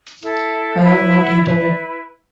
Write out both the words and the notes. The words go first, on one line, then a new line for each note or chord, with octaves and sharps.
I have not eaten yet.
E4 A4
E4 B4 B5
F#5
D5
E4 B4 E5
D5